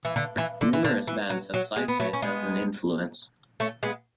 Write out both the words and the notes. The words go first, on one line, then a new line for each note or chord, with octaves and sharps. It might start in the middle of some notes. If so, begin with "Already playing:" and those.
Numerous bands have cited it as an influence.
E3
D3
E3
D3
E3
D3
E3
F#3
F#3
G#3
B3
F#3 A3
C#4
G#3 B3
A3 C#4
G#3 B3